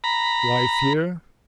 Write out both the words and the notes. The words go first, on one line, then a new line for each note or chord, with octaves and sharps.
"Wife here?"
A#5 B5